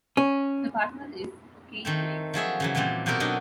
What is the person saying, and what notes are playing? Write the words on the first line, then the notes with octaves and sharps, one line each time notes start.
Her partner is Keith Miles.
C#4
D#3 A3 C4
F3 F#3 G#4 E5
C#3 E3 F#3
A#2 E3 F3 G3 C4
B2 F#3 C4 G4 A4 A#4
F#3 D4 D#4 D#5